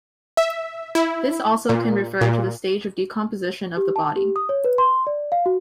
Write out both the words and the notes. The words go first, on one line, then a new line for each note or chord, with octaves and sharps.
This also can refer to the stage of decomposition of the body.
E5
E4
A#2
A#2
G4
A5
G4
D#6
C#5
B4
C6
D5
F5
F#4